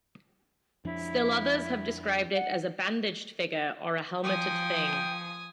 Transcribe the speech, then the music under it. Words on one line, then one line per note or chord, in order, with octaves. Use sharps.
Still others have described it as a bandaged figure or as a helmeted thing.
F2 F3 D4 E4
F#5
F3 G5 G#5 D#6